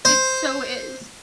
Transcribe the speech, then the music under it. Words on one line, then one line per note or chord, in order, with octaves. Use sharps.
It so is.
C5